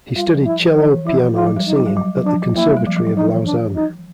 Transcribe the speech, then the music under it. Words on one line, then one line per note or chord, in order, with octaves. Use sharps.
He studied cello, piano and singing at the Conservatory of Lausanne.
G3 F4
F3
E4
F3
E3 D#4
E3
F3 E4
F3 F4
F#3
G3
D#4
F#3
G3
F#3
F#3
F3 D4
F#3
A#3 E4
G#3
G3
F3
F#3
F#3
F3 D#4
E3
D4
D#4